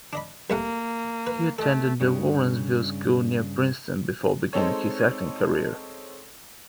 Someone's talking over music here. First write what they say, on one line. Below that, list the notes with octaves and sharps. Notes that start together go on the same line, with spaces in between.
He attended The Lawrenceville School near Princeton before beginning his acting career.
D4 D#5 B5
C2 A3 A#3 F#5
B4
A3 A4 D#5
G2 C#3
G#3 C4 D#4 A4 C#5